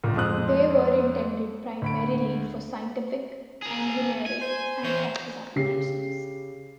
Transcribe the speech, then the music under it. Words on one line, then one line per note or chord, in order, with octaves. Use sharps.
They were intended primarily for scientific, engineering and office applications.
G1 C#2 A#2
F2 G#3 C4 D#6 F#6
D2 B5 D7
G#4 A#4
G#5
C5
E3 C5 C#5
C#3 G4 C7